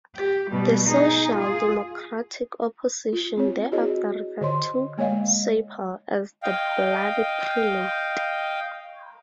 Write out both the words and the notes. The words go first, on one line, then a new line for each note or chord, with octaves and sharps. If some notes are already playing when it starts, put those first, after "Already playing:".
The Social Democratic opposition thereafter referred to Seipel as the "Bloody Prelate".
G4
B2 G3
D#4 G#4
F4 G#4
F4
C4 C#5
E4 F#4 G#4 C#5 D#5
D3 C#5 D#5 C6
G#3 A#3 C#5 D#5 F5
D#5 F5 G5